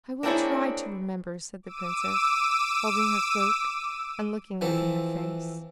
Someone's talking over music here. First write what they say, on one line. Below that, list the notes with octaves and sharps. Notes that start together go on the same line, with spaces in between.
"I will try to remember," said the princess, holding her cloak, and looking up in her face.
A#3 C4 D4 E4 G#4 C#5
D6 E6 D#7
E3 F3 C4 E4 A4